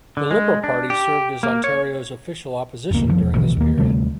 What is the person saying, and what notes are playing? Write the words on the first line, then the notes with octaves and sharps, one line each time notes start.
The Liberal Party served as Ontario's official opposition during this period.
D3
G#3
D4
G4
A#3
C#5
F1 C#2 A#3
F#1 C#3 F3
E1
A#1 B2 D3 E3
D#2 A#3
D2 C3 G3 A3